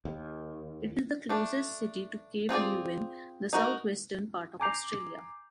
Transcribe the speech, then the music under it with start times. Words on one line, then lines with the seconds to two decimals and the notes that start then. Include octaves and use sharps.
It is the closest city to cape Leeuwin, the South-western part of Australia.
0.05 D#2
1.29 A3 D4
2.49 C4 F4 G#4 D5
3.53 D#4 F#4 A#4
4.60 G#5 A#5 D6 G6 C7 F7